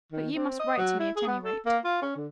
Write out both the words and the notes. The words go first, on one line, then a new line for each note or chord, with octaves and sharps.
"But you must write to me at any rate."
D#3
C4
D#5
F#3
E4
G#4
B3
A4
A#3
F4
C#4
D3